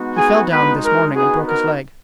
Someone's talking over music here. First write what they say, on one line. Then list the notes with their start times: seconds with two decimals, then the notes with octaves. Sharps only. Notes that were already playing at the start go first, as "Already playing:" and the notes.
He fell down this morning and broke his leg.
Already playing: G#3 B3 D#4 F#4
0.16 G#4 G#5
0.49 G#3 B3 D#4 F#4 B4
0.82 A#4
1.14 B3 D#4 F#4 G#4
1.47 A#4